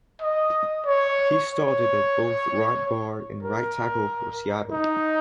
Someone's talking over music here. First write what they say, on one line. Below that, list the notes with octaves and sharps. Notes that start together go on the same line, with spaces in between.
He started at both right guard and right tackle for Seattle.
D#5
C#5
C#5
A#4
D#4